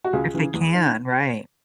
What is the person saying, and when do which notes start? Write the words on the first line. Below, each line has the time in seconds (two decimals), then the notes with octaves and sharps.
If they can, right.
0.04 F#4
0.13 C#2 G#4
0.34 C#3 E3
0.54 E2
0.74 D#3